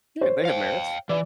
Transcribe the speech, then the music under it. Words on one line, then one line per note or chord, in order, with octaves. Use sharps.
Yeah, they have merits.
C5 C#5
F5 G5
E3 D5